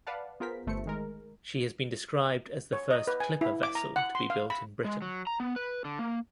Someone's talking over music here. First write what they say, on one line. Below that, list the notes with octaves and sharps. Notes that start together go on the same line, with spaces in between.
She has been described as the first clipper vessel to be built in Britain.
B4 D5 F5 F#5 A5
B3 F4 G#4 A#4 C5 B6
G1 A3 C5 C#7
D#3 G#3 A#4
C#5
D#5
B4
G#5
E4
D6
A#5
F#5
C6
F5
B5
G#3
F#3
A#5
B3
B4
D3
A#3